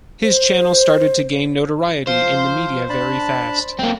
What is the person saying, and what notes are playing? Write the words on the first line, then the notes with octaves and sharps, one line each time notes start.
His channel started to gain notoriety in the media very fast.
C5
F3 C5 F5
D4 A5 B5
F#2 A#3 C4